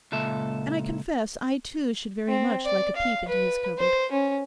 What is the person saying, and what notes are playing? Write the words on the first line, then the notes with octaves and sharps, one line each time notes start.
And I confess I too should very much like a peep into his cupboard.
C#2 A#2 A4 E5
C4
D5
F5
B4
C5
C#4